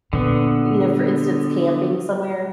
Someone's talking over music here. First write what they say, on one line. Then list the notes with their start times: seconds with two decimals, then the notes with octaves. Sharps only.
you know, for instance, camping somewhere?
0.13 A#2 D3 B3